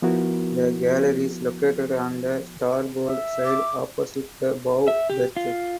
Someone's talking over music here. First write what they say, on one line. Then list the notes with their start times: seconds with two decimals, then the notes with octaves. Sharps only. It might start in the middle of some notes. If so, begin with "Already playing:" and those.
The galley is located on the starboard side opposite the bow berth.
0.02 F3 B3 E4 F#4 A#4
3.08 E5
3.45 D6
4.88 E5
5.10 G4
5.37 F4